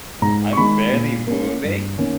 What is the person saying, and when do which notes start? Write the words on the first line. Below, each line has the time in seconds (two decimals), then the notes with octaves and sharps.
I'm barely moving,
0.22 G#2 A#5
0.53 C#6
0.57 D#3 G#3 D#4 B5
0.92 A#2
1.27 A#3 C#4
1.63 G2
1.98 D#3 A#3 C#4